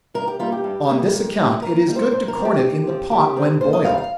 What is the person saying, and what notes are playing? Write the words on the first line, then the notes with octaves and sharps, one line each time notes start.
On this account it is good to corn it in the pot when boiled.
G2 A#4
G4
G3 A#3 D#4 F4
G4
G2
G3 A#3 D#4
A#2
G3 A#3 D#4
A#2 A#4
G3 A#3 D#4
C5
A#2 C5
A#4
F3 C4
G4
A#2
F3 C4
D#2 G4
D#3 G3 C4 D#4
D#2 C5
D#5
D#3 G3 C4 D#4 F5
F5